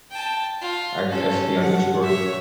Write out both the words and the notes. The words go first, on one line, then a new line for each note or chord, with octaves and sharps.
I c I see on Discord.
G5 A5
F4
C#4 A4
F#5
C#5 E5